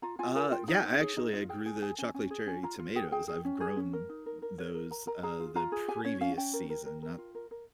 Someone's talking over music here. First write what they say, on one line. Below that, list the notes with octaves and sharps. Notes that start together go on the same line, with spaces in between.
Uh, yeah. Actually, I grew the chocolate cherry tomatoes. I've grown those, uh, the previous season, not
F4 A#5
F4 G#5
A#4 G#5
F4 G5
D#4 D#5
D#4 C5
G#4 C#5
D#4 D#5
F4 D#5
G#4 G5
G#4 G#5
G#4 G#5
C#4 G#5
C#4 G#5
G#4
C#4 G#5
F4 A#5
F4
G#4 G5
G#4 G5
G#4
C#4
G#4
C#4
A#4
D#4
A#4
A#4
A#4 C#5
A#4
A#4 A#5
A#4 A#5
G#4 A#5
F4
F4 A#5
G#4
G4 G#5
C#4 C#5
C#4 F5
C#4 G5
A#4
A#4
A#4
A#4
F4
A#4
A#4